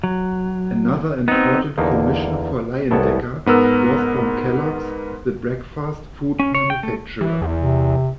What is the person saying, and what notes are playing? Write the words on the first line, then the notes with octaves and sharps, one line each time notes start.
Another important commission for Leyendecker was from Kellogg's, the breakfast food manufacturer.
F#3
B3 C4 D#4
E2 D3 A#3 D#4
C2 B3 E4 A4 C#5
G#2 B3 A#4 E6
C#4
C#5
G5
A3
E3
E2
C3